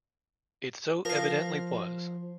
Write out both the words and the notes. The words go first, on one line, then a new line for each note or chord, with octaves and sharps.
It so evidently was.
F3 A#4 F5